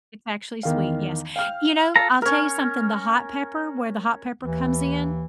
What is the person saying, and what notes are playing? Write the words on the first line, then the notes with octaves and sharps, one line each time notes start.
It's actually sweet. Yes, you know, I'll tell you something, the hot pepper where the hot pepper comes in,
E2 D#3 F5
F5 G5 F6
F4 A4 A#5
C#4 A#4
D#2 E3